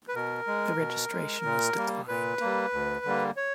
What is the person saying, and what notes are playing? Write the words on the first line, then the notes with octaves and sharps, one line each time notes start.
The registration was declined.
B4
B2 A#4
G#3
B2
G#3
A#2
G3 A#3
A#2 B4
G3 A#3
D2
D3 G3 A#3
C#5